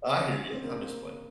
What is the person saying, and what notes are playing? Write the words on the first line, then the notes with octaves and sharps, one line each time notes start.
I hear ya, I'm just playing.
C#4
C4
A#3
C4
A#3